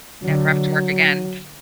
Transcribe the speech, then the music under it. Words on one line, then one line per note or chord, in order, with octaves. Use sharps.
Never have to work again.
D3 F#3